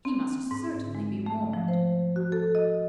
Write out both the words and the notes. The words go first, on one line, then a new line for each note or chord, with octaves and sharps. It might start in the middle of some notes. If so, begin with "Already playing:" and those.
He must certainly be warned.
C4
G#2
G#3
A3
F3
C5
F#4
A4
D#5